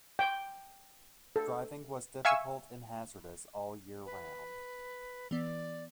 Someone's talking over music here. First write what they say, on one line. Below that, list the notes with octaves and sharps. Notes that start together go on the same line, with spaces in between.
Driving was difficult and hazardous all year round.
G5
A4
E5 F5 G#5 C#6 E6
B4
E3 B3 D5